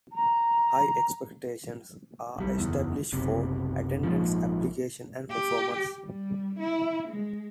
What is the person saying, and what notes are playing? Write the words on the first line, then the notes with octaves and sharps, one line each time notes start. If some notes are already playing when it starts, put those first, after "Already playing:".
High expectations are established for attendance, application and performance.
A#5
B1 G3
F#1 E2
F#1 B1 C3
A#1 G#2 F3
G4
G3
E4
G#3